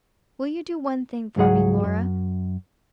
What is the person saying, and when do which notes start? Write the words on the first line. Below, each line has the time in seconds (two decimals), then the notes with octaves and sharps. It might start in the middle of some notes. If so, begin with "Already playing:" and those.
'Will you do one thing for me, Laura?
1.36 C#2 G#2 F#3 G#4 F#5
1.84 F#2